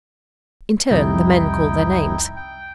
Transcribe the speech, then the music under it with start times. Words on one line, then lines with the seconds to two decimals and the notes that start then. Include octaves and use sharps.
In turn the men called their names.
0.91 C2 F2 D#4 E4 G5
2.37 G5